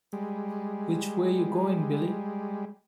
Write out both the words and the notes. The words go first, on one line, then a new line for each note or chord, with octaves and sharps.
Which Way You Goin' Billy?
G3 G#3